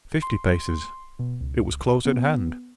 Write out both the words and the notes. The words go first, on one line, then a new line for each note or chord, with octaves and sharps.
Fifty paces--it was close at hand!
C6
B2
C#2
B3